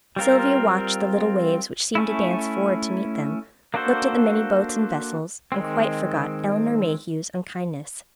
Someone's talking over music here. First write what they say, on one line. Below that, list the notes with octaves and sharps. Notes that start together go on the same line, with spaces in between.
Sylvia watched the little waves which seemed to dance forward to meet them, looked at the many boats and vessels, and quite forgot Elinor Mayhew's unkindness.
G3 C4 F4 A#4
A3 C#4 E4
A#3 D4 F#4 A4 C5
D#3 G#3 C4